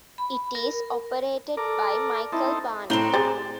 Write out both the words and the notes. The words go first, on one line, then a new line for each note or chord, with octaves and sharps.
It is operated by Michael Barnett.
B5
A#4
A4 A#4 D5
C4 D#4 E4 A4
A2 C4 D4 D#4 G7
G4 G#4 C5 A6